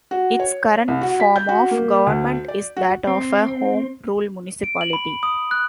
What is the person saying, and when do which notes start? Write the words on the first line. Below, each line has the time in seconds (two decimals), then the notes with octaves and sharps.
Its current form of government is that of a Home Rule Municipality.
0.11 F#4
0.40 C#5
0.88 C2
1.01 F#4
1.20 B6
1.36 G6
1.49 F#4
1.71 A#3
2.06 D2
2.48 D5
2.77 F#4
3.07 C4
4.64 D7
4.81 F#7
4.93 B5
5.23 D#6
5.51 F#6